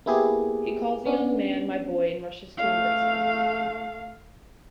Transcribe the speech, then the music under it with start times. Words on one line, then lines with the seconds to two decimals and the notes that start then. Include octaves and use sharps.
He calls the young man "my boy" and rushes to embrace him.
0.06 A#3 B3 E4 G4 G#4
1.06 B3 C#4 D4
2.58 A3 F5